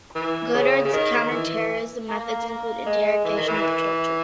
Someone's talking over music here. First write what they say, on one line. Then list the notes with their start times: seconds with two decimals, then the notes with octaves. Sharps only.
Godard's counter-terrorism methods included interrogation with torture.
0.15 E3
0.54 C#3
0.85 C#3
0.93 D#3
1.31 E3
2.08 A#3
2.48 A#3
2.86 G#3
3.24 E3
3.37 D#3
3.48 E3